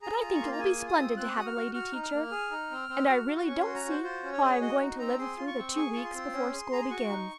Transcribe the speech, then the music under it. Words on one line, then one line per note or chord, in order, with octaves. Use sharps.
But I think it will be splendid to have a lady teacher, and I really don't see how I'm going to live through the two weeks before school begins.
G#4 A#5
F4
C#6
A#3 C6
A#5
G#4 G#5
F4
D#6
C4
C4 F#6
F#4 D#6
F6
F#4
F#4 F6
D#4
F6
A#3
G#4
D#4
C4
C4
F#4
F#4
C#4 C#6
F#4 C6
A#5
F#4 C5
F4 C5
C#4
C#5
G#4 D#5
C#5
F#4 D#5
D#4
C4 A#5
G#4 C6
F4
C#6
C4
G#4 C#6
F4 C#6
C6
C4
C#4
G#4
G#4 A#5
C6
F#4 C#6
D#4